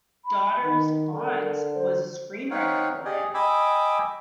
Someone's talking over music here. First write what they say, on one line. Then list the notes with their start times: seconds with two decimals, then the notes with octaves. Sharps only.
daughter's aunt was a screenwriter for it,
0.25 B5
0.64 D#3
1.12 D3 A#4
1.75 C5
2.50 C4 D#4 C#5 F5 F#5
3.05 G4 G#4 D5 D#5
3.34 D#5 G5 G#5 B5 D6 E6